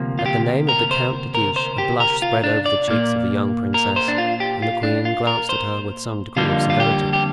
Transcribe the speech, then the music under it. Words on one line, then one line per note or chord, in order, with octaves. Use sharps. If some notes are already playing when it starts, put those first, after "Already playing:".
At the name of the Count de Guiche a blush spread over the cheeks of the young princess and the queen glanced at her with some degree of severity.
Already playing: D2 C3 F3 A#3
F4
G4
A#4
C5
A#4
C5
G4
A#4
F4
D4
D5
A#2 A#3
A#4
C5
D4
F4
G4
F4
D4
F4
A#4
C5
F2 D3 G3 A#3 F4
F4
G4
G4